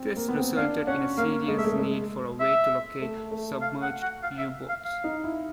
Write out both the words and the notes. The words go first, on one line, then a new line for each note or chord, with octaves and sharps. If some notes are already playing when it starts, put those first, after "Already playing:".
This resulted in a serious need for a way to locate submerged U-boats.
Already playing: C4
A#3
B3
C4
D4 F5
C#4 F#5
A#3 F5
G#3
A3 E5
G#3
G#3
E5
A3
A3
F5
F#5
F#5
F5
E5
F5
F5
D#4
E4